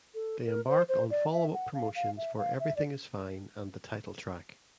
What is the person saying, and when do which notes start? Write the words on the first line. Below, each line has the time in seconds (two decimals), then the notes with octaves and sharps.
They embarked on followup promotions for "Everything Is Fine" and the title track.
0.15 A4
0.46 A#4
0.68 C5
0.89 C5
1.11 D5
1.31 E5
1.54 F#5
1.74 F5
1.95 F5
2.17 E5
2.38 F5
2.60 E5
2.76 D5